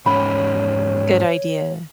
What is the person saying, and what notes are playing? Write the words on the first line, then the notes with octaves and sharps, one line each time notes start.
Good idea.
E2 G#2 C#4 C#5 B5